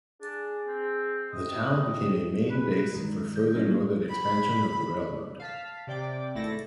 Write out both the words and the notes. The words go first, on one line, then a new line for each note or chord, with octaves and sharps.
The town became a main base for further northern expansion of the railroad.
D4 G#4
C4
C3 D#5
G#4 B4
G2 D#3 G#3
G6
F#3 A#3 C#4 D#4
B5
F5 A5 B6
C3 D5 G5 D6
G#1 A3 E4 A4 A6 A#6